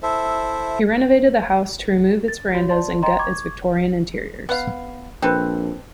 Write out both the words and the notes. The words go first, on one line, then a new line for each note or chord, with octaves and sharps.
He renovated the house to remove its verandas and gut its Victorian interiors.
E4 A4 C5 E5
A6
F4 F#4 C#5
F4 C5 D5 A5 C6
D#5 G5 A#5 C6
C#6 D6 G#6
B3 F5
A#1 C4 A4 B4